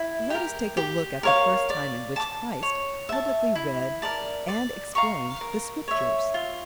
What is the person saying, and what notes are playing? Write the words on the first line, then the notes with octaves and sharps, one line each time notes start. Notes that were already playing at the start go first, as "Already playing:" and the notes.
Let us take a look at the first time in which Christ publicly read and explained the Scriptures.
Already playing: E4
G4 A#4
G4
A#4 C#5 F5
D5
A5 D6
C#5
E5 A5
E4
A#4 D5 A5
D5
F5 A#5 C#6
A#4
C#5 E5
F4